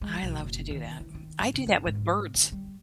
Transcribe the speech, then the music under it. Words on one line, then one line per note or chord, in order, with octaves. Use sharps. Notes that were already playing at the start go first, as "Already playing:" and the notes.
I love to do that. I do that with birds.
G#3
B1
F#1
D#3
E3
D#3
G#2
C#3
G1
G#2
D3
G3